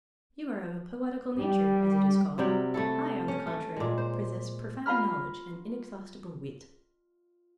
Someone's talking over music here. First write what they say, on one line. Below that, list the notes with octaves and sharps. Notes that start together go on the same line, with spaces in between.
You are of a poetical nature, as it is called--I, on the contrary, possess profound knowledge and inexhaustible wit.
G3
C3 F#3 G3 G5
A3 E4 A4
C#4
A3
A#2 G#3
C5
F4 F5 A#5 B5 F6